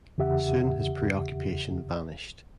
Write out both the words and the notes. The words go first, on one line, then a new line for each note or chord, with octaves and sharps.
Soon his preoccupation vanished.
E2 C#3 G4 E5 F#5